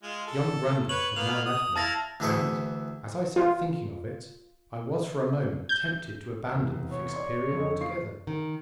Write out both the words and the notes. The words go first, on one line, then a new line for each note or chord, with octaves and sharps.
Young Grundle had now left me, and as I sat thinking of it I was for a moment tempted to abandon the Fixed Period altogether.
G#3 F4
A4
B4 C#5 F#7
A#3 B3 F5 F7
D#6
E4 F5 A5 A6 A#6
D2 E3 E4 G#4 E5 C#6
F4
G6
E1 C2
C#5
D5 C6
F2 A4 D#5
F4 C#6 C7
D#3